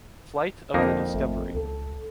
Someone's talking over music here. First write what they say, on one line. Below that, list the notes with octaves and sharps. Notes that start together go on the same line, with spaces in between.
Flight of the Discovery.
F2 D3 A#3 D#4
G#1 A3
C#2 A4